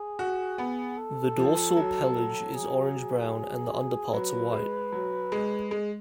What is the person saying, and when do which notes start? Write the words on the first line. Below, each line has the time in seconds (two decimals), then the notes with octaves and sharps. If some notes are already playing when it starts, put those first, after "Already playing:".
The dorsal pelage is orange-brown and the underparts are white.
Already playing: G#4
0.19 F#4
0.58 B3
0.97 A4
1.37 F3
1.77 F#3
2.55 G#4
4.13 F#3 B4
4.53 G#3
4.92 F#3
5.32 G#3
5.71 G#3